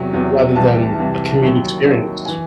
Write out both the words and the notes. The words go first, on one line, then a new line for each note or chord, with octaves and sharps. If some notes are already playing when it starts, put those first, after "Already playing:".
rather than a community experience.
Already playing: E2 C3 F#3
E2 C3 F#3
C2 C3 E3 A5
C2 C3 E3
D#2 D#3 F#3
D#2 D#3 F#3
E3 G#5